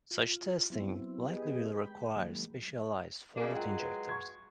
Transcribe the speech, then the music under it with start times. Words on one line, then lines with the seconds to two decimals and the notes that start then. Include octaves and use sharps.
Such testing likely will require specialized fault injectors.
0.11 F4
0.70 F#3 B3 C4 E4
1.28 B3 G4 G#4 B4 D#5
1.77 G#3 G5 B5
2.16 D#3 F#3 G#3 A#3
3.36 C#3 A#3 D4
3.52 F#3 G#3 F4 F5 G5
3.80 B4
4.09 C#6 G#6